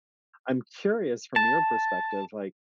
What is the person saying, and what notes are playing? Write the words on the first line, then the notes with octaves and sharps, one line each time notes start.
I'm curious from your perspective, like,
A5